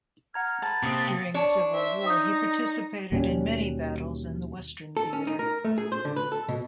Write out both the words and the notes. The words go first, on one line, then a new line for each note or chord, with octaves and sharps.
During the Civil War, he participated in many battles in the Western Theater.
F#5 A#5 F6 G#6
B4 A5 A6
C3 A#3 C4 D#6
D4 C#5
C5 E5
D#4 D#6 G6
D#2 B2 G3 C#4
A4
C#4
D#4
A#4
A3
G#4
C5
D3
B4
A4
B2